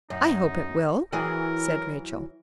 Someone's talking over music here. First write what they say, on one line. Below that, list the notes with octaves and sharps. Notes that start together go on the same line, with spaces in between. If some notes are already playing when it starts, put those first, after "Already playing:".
"I hope it will," said Rachel.
F#2 D#4
E3 F#3 G#4 A#4